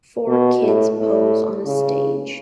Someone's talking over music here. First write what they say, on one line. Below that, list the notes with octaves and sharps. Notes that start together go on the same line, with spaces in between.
Four kids pose on a stage.
B2
A2
A2
C#3